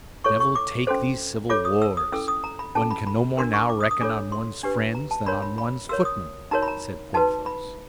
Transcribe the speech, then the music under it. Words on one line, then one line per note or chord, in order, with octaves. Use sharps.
"Devil take these civil wars! one can no more now reckon on one's friends than on one's footmen," said Porthos.
E4 A4 C#5 C#6
C#6
D6
C#4 F#4 A4 C5
F4 A4 C#5 D6
D#6
E6
D#6
C#4 E4 A4 E6
D#6
A#5
B5
C#4 E4 A4 A5
B5
B5
D4 F#4 A#4 C6
C#6
D6
D#6
D#6
D4 F4 A4 C#5 D6
C6
D4 G4 B4
A#5
A5
D4 F#4 A#4 C#5 B5
B5
B5
F#4 A#4 C#5 E6
D#6
D#4 F#4 A#4 C#5 A#5
B5
A#5
D#4 F#4 B4 A5
B5